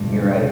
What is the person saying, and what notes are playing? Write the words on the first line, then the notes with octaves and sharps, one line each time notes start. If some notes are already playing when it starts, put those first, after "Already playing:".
You're right.
Already playing: E1 D2 G2 F3
C#3
C3